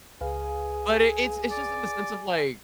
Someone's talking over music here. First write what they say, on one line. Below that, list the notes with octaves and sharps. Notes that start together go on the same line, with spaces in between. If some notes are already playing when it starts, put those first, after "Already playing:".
But it it's it's just in the sense of, like,
C#2 G#4 B4 F5 G#5
D5